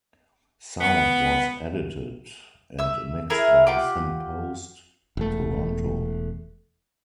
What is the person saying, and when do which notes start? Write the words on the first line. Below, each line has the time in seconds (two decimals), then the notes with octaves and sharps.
Sound was edited and mixed by Sim Post Toronto.
0.81 B3
2.79 E5 E6
3.30 E4 G#4 A#4 E5
3.67 F4 G4 F#5 D6
5.17 E1 A3